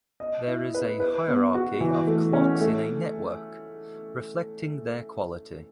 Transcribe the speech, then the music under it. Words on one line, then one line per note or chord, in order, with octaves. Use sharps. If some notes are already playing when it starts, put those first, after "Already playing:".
There is a hierarchy of clocks in a network, reflecting their quality.
D#5
E4
B4
B4
B3
F#4
E3
A3
C#4
A3